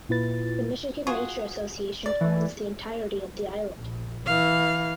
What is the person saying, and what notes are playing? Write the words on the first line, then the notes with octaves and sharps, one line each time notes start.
The Michigan Nature Association owns the entirety of the island.
A#2 E4 F4 B4 A6
F4 F#4 G#4
D5
E3
A#1
E3 F5